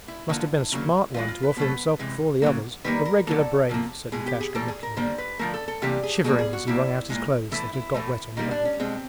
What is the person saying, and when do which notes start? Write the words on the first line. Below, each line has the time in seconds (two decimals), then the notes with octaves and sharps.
'Must have been a smart one to offer himself before the others; a regular brave!' said Lukashka mockingly, shivering as he wrung out his clothes that had got wet on the bank.
0.08 E4
0.29 D3 F3 A#3
0.72 C#3 F#3 A#3
1.14 A2 E3 G#3 F4
1.28 F4
1.43 B4
1.57 B2 F#3 A3 B4
1.99 C3 E3 G#3
2.42 C#3 F#3 A#3
2.84 D#3 G3 A#3 B4
3.05 A#4
3.27 D3 F#3 A#3 A4
3.69 C3 F3 A#3
4.12 B2 G#3 G#4
4.26 G4
4.41 G#4
4.55 A2 E3 G3 A#3 A4
4.68 G#4
4.83 A#4
4.97 D3 G3 A#3 C5
5.18 B4
5.39 D3 F3 A3 A#4
5.54 A4
5.68 A4
5.82 C3 E3 G3 A#3 G4
6.03 G#4
6.24 B2 G3 A#3 G#4
6.39 G#4
6.53 F#4
6.67 B2 G3 A#3 E4
7.10 A#2 F3 G#3
7.51 A2 E3 A3 E4
7.73 E4
7.94 A2 E3 A3
8.37 D#3 G3 A#3 D#4
8.51 D4
8.65 C#4
8.80 B2 G#3 C4